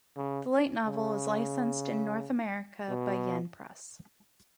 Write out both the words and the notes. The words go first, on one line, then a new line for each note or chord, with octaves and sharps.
The light novel is licensed in North America by Yen Press.
C#3
C#3
B2